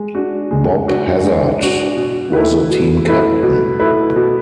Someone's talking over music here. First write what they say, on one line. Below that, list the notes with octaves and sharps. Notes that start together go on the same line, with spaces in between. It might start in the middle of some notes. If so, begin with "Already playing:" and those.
Bob Hazzard was the team captain.
Already playing: G#3
D4 F#4
G#3
D4 F#4
G#3
D4 F#4
B2
A3 E4 B4
B2
A3 E4 B4
B2
A3 E4 B4
B2